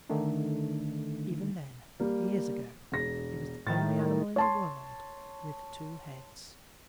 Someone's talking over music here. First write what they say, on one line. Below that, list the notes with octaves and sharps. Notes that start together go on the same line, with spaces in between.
Even then, years ago, he was the only animal in the world with two heads.
D3 D#3 A3 D4 D#4
G3 A#3
E1 A#6
A2 D#3 A6
C#5 A5 C6